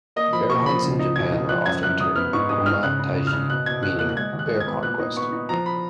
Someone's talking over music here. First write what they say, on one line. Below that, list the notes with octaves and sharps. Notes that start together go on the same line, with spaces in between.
Bear hunts in Japan are often termed "kuma taiji", meaning "bear conquest".
A#3 D#5
F3 B5
A#3 C#6
F3 B5
C#2
D#4
B2 G#6
D#4
F3 F#6
F#2 G#6
F#2 F#6
F#2 D#6
B3 F6
G#2 C#6
G#2 D#6
G#2 F6
C#3 F#6
C#3
C#3
F6
C#3
B2 F#6
B2 G#6
B2 F#6
A#3 F#6
F#6
G#3 G#6
D#2
F#6
G#3
G#6
B3
A#2 F#6
D#4
B3 C#6
D#4
F3 A#5
B5